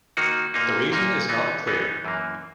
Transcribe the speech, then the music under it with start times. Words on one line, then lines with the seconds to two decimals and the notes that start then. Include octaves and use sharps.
The reason is not clear.
0.17 D#3 A#3 D#4 F#4
0.54 A#2 A#3 D#4
0.92 A#2 A#3 D#4
1.29 E3 B3 D#4
1.67 E3 B3 D#4
2.05 F#2 E3 A#3